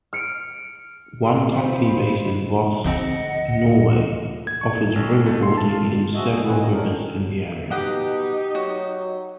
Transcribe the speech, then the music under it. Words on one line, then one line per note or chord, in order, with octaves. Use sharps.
One company based in Voss, Norway, offers riverboarding in several rivers in the area.
F6 C#7 D7
D#4 F4 C5 B5
D2 C#3 F3 C4 D#5 F#5
G#6
C#6
A1
A3
C6
A5
F4
F3 G#3 F#4 D#5 E5
G#4 G#5
E3 C4 C#4 F#5
D#3 A3 C#4 D#5 G#5
E2 C#4 D4 A#4
B2 D#4 G4 D#5 F#5 D6
F#3 F#4